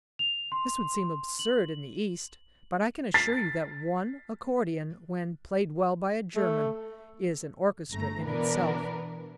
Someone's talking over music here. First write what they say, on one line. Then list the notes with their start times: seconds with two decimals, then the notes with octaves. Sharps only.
This would seem absurd in the East, but I can assure you that one accordion, when played well by a German, is an orchestra in itself.
0.19 F7
0.52 C6
1.39 F#7
3.14 A6 B6 C7
6.36 A3
7.90 G1 A3 A#5
8.24 B2 E3 B3 D4 A#4 B4